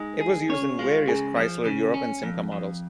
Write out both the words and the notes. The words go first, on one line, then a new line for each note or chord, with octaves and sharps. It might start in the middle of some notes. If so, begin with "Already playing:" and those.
It was used in various Chrysler Europe and Simca models.
Already playing: G#3 D#4
G#4
C#4 C#5
G#3 F4
C#3 G#4
F3
C#3
C#4
F2
F2